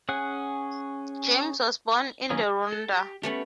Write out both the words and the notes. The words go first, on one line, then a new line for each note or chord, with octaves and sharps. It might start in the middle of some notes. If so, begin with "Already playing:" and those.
James was born in the Rhondda.
C#4 G#4 F#5
D#3 F#3 A#3 C#4 G#4
A4
G4
A3 B3 C#4 G4 C#5 F#5